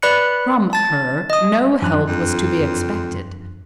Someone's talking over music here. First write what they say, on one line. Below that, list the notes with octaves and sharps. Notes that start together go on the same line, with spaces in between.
From her no help was to be expected.
B4 D5 B5 F#6 C#7
A5 A6
D#5 D#6
F#2 F3 D4 G#5 F#6
F2